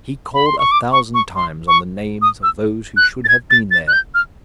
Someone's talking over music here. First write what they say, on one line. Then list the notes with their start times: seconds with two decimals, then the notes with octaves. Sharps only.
He called a thousand times on the names of those who should have been there.
0.34 B5
0.46 C6
0.59 C#6
0.71 D6
0.92 C#6
1.14 C#6
1.36 C6
1.68 C#6
2.22 D#6
2.43 E6
2.97 F#6
3.25 A6
3.28 G#6
3.50 A6
3.71 A6
3.88 F#6
3.93 G6
4.14 F6